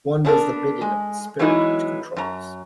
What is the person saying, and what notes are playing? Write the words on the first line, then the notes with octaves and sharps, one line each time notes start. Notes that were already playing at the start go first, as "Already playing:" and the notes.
One does the bidding of the spirit which controls.
B3 C#4 D4 F#4 A4 A#4
G#3
E3 F#3 G#3 B3 D#4 E4
F#2 A#5